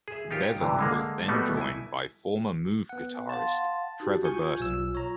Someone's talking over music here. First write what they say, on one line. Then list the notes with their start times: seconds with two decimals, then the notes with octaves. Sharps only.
Bevan was then joined by former Move guitarist Trevor Burton.
0.08 G#4 E5
0.31 D#4 F4 G4 A#4 C#5
0.60 G2 C3 E3
0.79 D3 G#3 A#3
1.28 B2 G3 A3 B3 D#4
1.57 E4 G#5
2.89 B3 F#5
3.29 F5 F#5 A5 C6 A6
4.00 D#4 F#4 G4
4.25 F4 G#5 C#6 G6
4.60 B1 E6
4.95 C#5 A#5